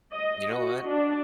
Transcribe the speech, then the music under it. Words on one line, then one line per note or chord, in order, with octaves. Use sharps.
You know what?
D#5
F#4
D4